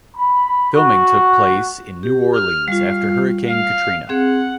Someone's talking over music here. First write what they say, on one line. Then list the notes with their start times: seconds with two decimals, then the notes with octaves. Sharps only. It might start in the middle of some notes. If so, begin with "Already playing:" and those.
Filming took place in New Orleans after Hurricane Katrina.
0.16 B5
0.74 F#4
2.03 G4
2.34 F6
2.68 G3 F4 F5
3.47 F5
4.09 C4 G#4 F#5